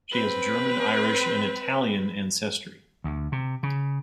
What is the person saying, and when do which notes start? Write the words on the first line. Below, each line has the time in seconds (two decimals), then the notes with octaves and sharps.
She has German, Irish, and Italian ancestry.
0.12 C4 B4
3.04 D2
3.32 C3
3.63 C#3